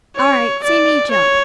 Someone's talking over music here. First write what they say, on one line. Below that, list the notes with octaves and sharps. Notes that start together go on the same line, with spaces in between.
All right, see me jump.
C#5
D5
C#5